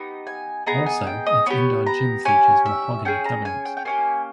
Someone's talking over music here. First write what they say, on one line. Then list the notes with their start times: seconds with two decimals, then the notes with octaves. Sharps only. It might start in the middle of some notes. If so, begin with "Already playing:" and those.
Also its indoor gym features mahogany cabinets.
Already playing: B3 D#4 G4
0.27 G#5
0.66 B3 D#4 G#4 A#5
0.86 G#5
1.07 G5
1.27 D#5
1.46 B3 G4 C#5
1.86 A#5
2.25 C#4 G4 G#5
2.66 E5
3.05 C#4 G#4 G5
3.25 A#5
3.45 G#5
3.65 G5
3.77 G5
3.85 A#3 C#4 G4 G#5